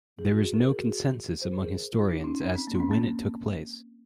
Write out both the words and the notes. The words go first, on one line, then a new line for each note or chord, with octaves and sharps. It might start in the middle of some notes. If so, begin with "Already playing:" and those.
There is no consensus among historians as to when it took place.
G#4
F#4
G#4
A#4
G#4
F#4
G#4
C5
A#4
G#4
F4
D#4
D#4
C#4
C4
C4
A#3
C#4
C4
A#3